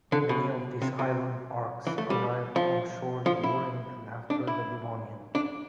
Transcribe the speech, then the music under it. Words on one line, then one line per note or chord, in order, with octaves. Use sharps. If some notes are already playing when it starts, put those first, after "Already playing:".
Many of these island arcs arrived onshore during and after the Devonian.
D3
B2
C3
C3
E3
A3
G3
F3
F3
E4
D4
E4
D4